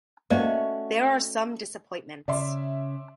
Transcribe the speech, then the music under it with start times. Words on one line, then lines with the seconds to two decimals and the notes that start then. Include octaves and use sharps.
There are some disappointments.
0.31 A3 A#3 C#4 F#4 C5 D5 D#5
2.28 C#3 D5 E5 C6